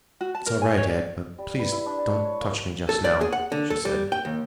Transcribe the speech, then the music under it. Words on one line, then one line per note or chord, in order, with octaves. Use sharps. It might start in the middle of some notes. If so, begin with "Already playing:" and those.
"It's all right, Ed, but please don't touch me just now," she said.
F#4
A5
A#4
G#5
C#5
D5
G3
B4
E4
D4
A5
C#6
C#5
A#3
A4
D5
G#4
F#5
D3
A4
G3
G5
D#2